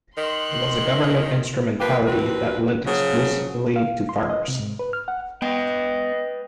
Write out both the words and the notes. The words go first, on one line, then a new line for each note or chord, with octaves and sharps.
It was a government instrumentality that lent exclusively to farmers.
D#3 C6 F#6
F3 A#3 G4 B4
D#2 F3 C4 F#4 B4
C#3 F3 F#3
F5
C6
D#5
C3
G#2
B4
F6
F#5
B3 B4 D#5 G5